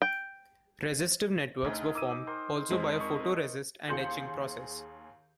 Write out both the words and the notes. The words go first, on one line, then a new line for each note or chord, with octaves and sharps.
Resistive networks were formed, also by a photo resist and etching process.
G5
D2 D#4 G#4
D#4 D6 E6 D#7
A#4 C5 G5
F2 G#3 C4
D#5 C#6
D#2 G#4 C6 G6 C#7 F#7